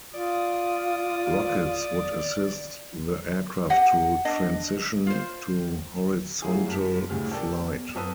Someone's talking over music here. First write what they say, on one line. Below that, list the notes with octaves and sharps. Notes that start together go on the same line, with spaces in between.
Rockets would assist the aircraft to transition to horizontal flight.
F4 D5 D#6
G4 D#5 F#5
D4 D#5
F4 C5
F#3 A3 E4 F4 G4 G#4
F#2 G4 A5 B6
D2 A2 C#3 G3 F6
G4 A4 A#4 D5 G5
B2
F#2 C4 A4 B4 D#6 D#7